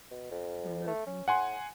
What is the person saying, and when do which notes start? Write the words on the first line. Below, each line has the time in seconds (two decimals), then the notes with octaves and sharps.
You're moving.
0.11 B2
0.31 F2
0.87 A3
1.07 C#4
1.28 A2 F#5 G#5 C6